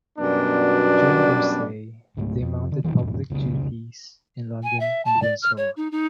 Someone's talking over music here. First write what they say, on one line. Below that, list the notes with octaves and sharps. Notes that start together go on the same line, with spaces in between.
During their stay they mounted public duties in London and Windsor.
F#2 B2 G3 B3 D4
C#2 G#2 G3 A3
F2
D3
F1 A#1 D#3 E3
D#1 F2 G#2 G#3
F1 C#2 A#2 C#3
G#5
E5
A5
D5
F6
C#5
D#4
D#4